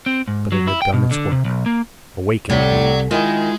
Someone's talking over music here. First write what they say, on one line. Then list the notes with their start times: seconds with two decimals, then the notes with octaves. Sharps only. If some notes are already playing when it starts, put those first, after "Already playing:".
But it had done its work--awakened me.
0.06 C4
0.28 G#2
0.52 F#3
0.67 E4
0.82 G5
0.94 B2
1.11 D3
1.32 C3
1.45 B1
1.66 A#3
2.50 C2 A2 C3 C#5 D5 F#5 B6
3.11 D#3 G#3 E4 F4 G#5